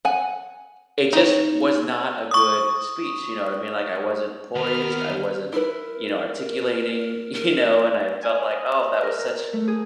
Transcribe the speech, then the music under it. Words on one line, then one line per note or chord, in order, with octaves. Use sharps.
it just was not a good speech. You know what I mean? Like, I wasn't poised, I wasn't you know, articulating, you know? And I felt like oh, that was such
F#5 G#5
D#4 C#5
C#6 D#6
D#2 D#3 B3 A#4 F6
E4 A#4 B4
A#4
G#5
D#5
A#4
A#4
A3
G#4